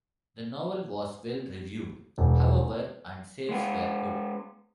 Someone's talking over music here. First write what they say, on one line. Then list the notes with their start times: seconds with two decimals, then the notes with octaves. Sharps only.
The novel was well-reviewed, however, and sales were good.
2.18 E1
3.49 G#3 B3 B4